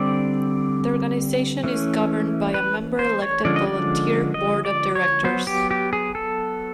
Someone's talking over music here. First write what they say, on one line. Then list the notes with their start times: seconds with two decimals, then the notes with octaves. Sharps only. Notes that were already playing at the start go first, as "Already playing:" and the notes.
The organization is governed by a member-elected, volunteer Board of Directors.
Already playing: D3 G3 C4 D5
1.64 E3 A3 C#4
2.54 B4
2.99 C5
3.22 C#5
3.45 D3 F3 G#3 C#4 D5
3.56 D#5
3.67 D5
4.34 D#5
4.65 D5
4.95 C#5
5.24 F#3 B3 C5
5.47 G4
5.71 G4
5.93 G#4
6.15 A4